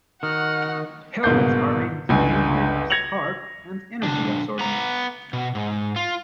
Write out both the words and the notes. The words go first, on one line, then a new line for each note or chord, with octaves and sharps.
Helmets are made in two main layers: hard and energy-absorbing.
D#3 D#4 F#4 D#5 F#5 F6
G1 G#2 B2 A#3 G6 C7
G1 C#2 D3 G#5
G#6 A#6 C#7 F7 F#7
B1 D4
B3 A#5
B2
G#2
F4